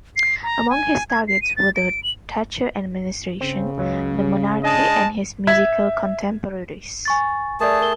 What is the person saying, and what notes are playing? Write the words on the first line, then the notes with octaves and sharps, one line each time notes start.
Among his targets were the Thatcher administration, the monarchy, and his musical contemporaries.
C7
A#5
G#5
G#6
C7
D#7
A6
D7
F#7
C#3 C4
C#2 F#3
G#3 D4 D#5 A5
E5 G#6 B6
G#5 C#6 A6
A3 G#4 A#4 D5 A5
A#4 G7